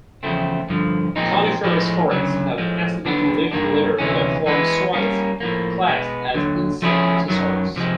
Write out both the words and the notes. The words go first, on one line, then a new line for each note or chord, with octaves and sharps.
Coniferous forests have acidic leaf litter that form soils classed as inceptisols.
E2 C#3 F3 A3 C4
G2 D3 F3
A#2 F3 G#3 C4 D#4
A2 F3 G#3
D2 C#3 F#3
A2 F3 G#3
D#2 D3 F#3 B3 D4
G2 D#3 G3 A#3 D4
D2 C3 E3 G#3 C#4
E3 G#3 B3
G3 A#3 C#4
A2 F3 A#3
B2 G#3 B3
D#2 D3 F#3
F3 A3 C#4 E4 G#4
F#2 D#3 F#3
C3 F3 G#3